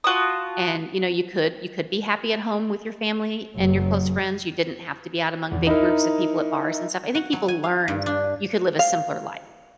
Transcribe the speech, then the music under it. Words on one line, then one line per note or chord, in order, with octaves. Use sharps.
And, you know, you could you could be happy at home with your family and your close friends, you didn't have to be out among big groups of people at bars and stuff. I think people learned you could live a simpler life.
F4 F#4 A5 D#6
F#1 F#3
E2
D#4 E4 A#4
F#4
F#3
G#5
F5
G2
D4
F5